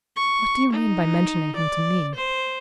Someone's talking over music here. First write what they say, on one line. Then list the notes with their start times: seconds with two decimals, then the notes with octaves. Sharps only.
"What do you mean by mentioning him to me?"
0.16 C#6
0.73 D#4
1.57 D5
2.15 C5